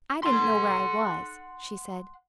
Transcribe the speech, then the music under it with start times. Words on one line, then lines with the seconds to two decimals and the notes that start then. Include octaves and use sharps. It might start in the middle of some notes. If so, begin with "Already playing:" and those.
"I didn't know where I was," she said.
0.23 F#5 C6